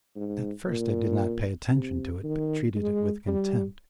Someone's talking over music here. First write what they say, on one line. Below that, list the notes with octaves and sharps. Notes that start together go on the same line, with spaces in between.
At first I did not pay attention to it, but treated it with contempt.
G#2
A#2
C3
D#3
G#3
G3